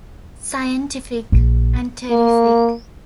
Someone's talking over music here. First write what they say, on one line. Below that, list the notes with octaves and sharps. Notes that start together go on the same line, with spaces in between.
Scientific and terrific.
A#1
A#3